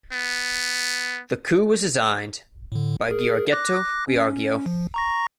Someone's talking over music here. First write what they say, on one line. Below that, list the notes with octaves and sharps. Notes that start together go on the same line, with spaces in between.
The coupe was designed by Giorgetto Giugiaro.
B3
A2 D3
G#4 A#4
D6 F#6 A#6
C#4
F3
A#5 C#6 A#6